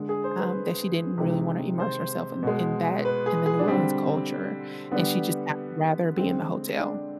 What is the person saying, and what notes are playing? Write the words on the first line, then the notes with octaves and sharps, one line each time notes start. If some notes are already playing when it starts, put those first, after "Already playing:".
um, that she didn't really wanna immerse herself in in that in the New Orleans culture, and she just had rather be in the hotel.
Already playing: D3 G#3
G#4
C5
B4
C3 D#3 G#3
C5
B2 G#3
B4
G#4
G#4
D4
D3 G3 C4
D3 G3 B3
D3 G#3 C4
D4